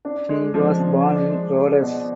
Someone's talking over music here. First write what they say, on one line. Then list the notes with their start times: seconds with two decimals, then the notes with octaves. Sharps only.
He was born in Rodez.
0.05 D4
0.29 G#3
0.54 F3
0.80 F3
1.05 D4
1.30 G#3
1.56 G#4
1.81 B2